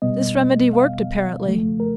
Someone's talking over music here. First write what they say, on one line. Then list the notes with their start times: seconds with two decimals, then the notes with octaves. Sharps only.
This remedy worked, apparently.
0.02 B2 G3 B3 D#5
0.73 F5
1.44 C#3 F3 A3
1.80 A#4